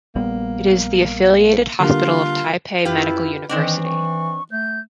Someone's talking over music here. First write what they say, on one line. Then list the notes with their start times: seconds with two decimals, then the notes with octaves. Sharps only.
It is the affiliated hospital of Taipei Medical University.
0.16 A#1 G3 A#3 B3
1.80 D3 G3 A#3 F4 A#4
2.85 F#2 E4 F4 G4 B4
3.49 D#3 E3 C4 D4 D#5
3.84 C#6
4.51 A3 G6